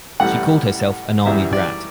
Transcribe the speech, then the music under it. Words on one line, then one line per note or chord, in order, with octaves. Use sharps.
She called herself an "army brat".
A1 A2 E3 G3 F#5
F#2 E3 G3 E5
D5